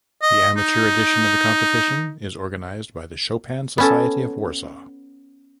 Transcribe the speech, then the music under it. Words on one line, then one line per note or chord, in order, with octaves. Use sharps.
The amateur edition of the competition is organized by the Chopin Society of Warsaw.
D#5
D#4
B3 C#4 A4